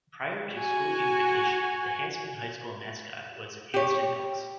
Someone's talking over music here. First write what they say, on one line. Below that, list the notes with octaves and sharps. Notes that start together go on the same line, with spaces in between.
Prior to school unification, the Hanston High School mascot was Hanston Elks.
F#4 G#5
G4 C#5